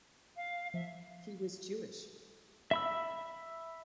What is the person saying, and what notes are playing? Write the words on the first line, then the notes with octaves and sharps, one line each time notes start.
He was Jewish.
F5
F3 E5
E5 B5 E6